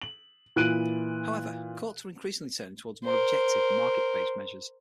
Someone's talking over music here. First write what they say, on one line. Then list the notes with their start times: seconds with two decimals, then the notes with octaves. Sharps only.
However, courts are increasingly turning toward more objective, market-based measures.
0.02 F#7
0.56 A#2 E3 F#6 D7 D#7 F#7
3.05 A#4 C5